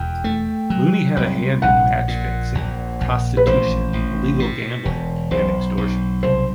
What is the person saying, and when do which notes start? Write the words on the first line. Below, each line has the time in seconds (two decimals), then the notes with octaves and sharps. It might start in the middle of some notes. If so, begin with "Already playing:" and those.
Looney had a hand in match fixing, prostitution, illegal gambling, and extortion.
Already playing: E1 E2 G5
0.24 A3
0.70 F#3
1.17 C2
1.62 A#1 F#5
2.08 A#2
2.55 A#1
3.01 A#1
3.37 B4
3.47 A1 C5
3.93 A1
4.40 B2
4.85 E1
5.31 B1 C5
5.78 B1
6.23 C2 C5